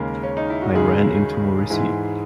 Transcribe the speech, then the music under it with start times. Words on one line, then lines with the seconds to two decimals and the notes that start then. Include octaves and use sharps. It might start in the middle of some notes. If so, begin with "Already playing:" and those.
I ran into Morisi.
Already playing: D#2 C#3 G#3 A#3 A#4
0.23 C#4
0.37 D#4
0.50 E4
0.62 F#4
0.74 D#2 C#3 G#3 G#4
1.70 G#2 E3 G#3